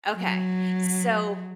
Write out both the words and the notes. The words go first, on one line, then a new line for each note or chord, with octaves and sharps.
Okay, so
F#3